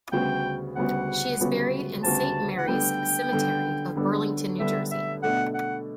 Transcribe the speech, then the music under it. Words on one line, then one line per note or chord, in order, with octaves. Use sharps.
She is buried in Saint Mary's Cemetery of Burlington, New Jersey.
D2 C#3 G3 B3 F#4 G5
D2 C#3 G3 B3 F#4 F#5
D2 C#3 G3 B3 F#4
D2 C#3 G3 B3 F#4 A5
F#5
D3 G3 B3 D4 A4 G5
D3 G3 B3 D4 A4
D3 G3 B3 D4 A4
D3 G3 B3 D4 A4 E5
E5
B2 A3 D4 F#5
F#5